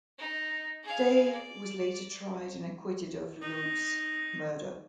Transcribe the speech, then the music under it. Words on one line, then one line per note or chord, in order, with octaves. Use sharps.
Day was later tried and acquitted of Loeb's murder.
D#4
G#4 F5
D5
D#4